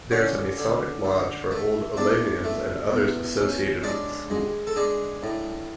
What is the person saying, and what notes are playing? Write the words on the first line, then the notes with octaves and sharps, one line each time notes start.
There is a masonic lodge for Old Olavians and others associated with the school.
D3 C#4 C#5
D3
D3
A3
E2 D4 D5
A3
E2
C#4
G#3 D4 D5
G#3
A4
G#3 D4 G#4
A2